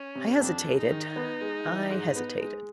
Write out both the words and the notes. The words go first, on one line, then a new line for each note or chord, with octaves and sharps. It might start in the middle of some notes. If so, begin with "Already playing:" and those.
I hesitated, I hesitated.
Already playing: C#4
C3
F2 D4
G#3
D#4
D#3
B3
G#3
E3
G#2
B3
G#3